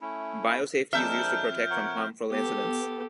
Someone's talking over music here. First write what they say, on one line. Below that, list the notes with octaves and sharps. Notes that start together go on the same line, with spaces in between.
Biosafety is used to protect from harmful incidents.
A3 C#4 E4
F2 G#3 D4 A#4 E5 F6 G6
A#4 C#5 F#5
B3 G4 A4